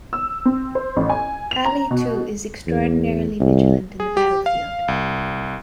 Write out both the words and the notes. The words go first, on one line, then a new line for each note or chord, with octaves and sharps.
Ali too is extraordinarily vigilant in the battlefield.
E6
C4
C5
A1
G#5
F7
A#5
B2
E2
C2
G#4
G4
F5
C2